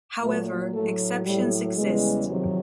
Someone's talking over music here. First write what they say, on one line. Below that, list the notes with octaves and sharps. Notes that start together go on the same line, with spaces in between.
However, exceptions exist.
A#2 F#3 A3
A2 F#3 A3
A2 F#3 G3
E2 C#3 E3 G3 G#3
F2 C3 D#3 F#3